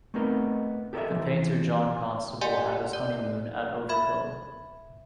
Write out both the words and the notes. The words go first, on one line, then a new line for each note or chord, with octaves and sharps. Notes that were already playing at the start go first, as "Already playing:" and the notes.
The painter John Constable had his honeymoon at Overcombe.
A3 B3 C4 D#4 A#4 D#5
G4 A4 A#4 C5 D#5 E5
E3 F3
G4 D5 D#5 F#5 G#5 C6
D5
E5 B5 G#6